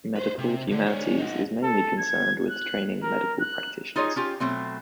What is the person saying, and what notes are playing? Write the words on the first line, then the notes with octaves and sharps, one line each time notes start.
Medical humanities is mainly concerned with training medical practitioners.
B4 C5
C3
D3
D4 C#5
D#4 F#4
A4
G#6
F#6
A#4
F#6
D#4 F4 G#4 C#5 D#5
C#4 F4 G4
B2 F#3 A3 C4